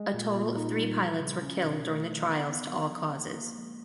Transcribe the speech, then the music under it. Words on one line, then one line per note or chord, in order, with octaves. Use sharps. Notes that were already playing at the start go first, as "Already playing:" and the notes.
A total of three pilots were killed during the trials to all causes.
Already playing: G#3
A#2
A#2
D#4
G3
F3
C#3
C#4
B2
A3
A3
B3
B3
F3
F3
A#3
A#3
G#3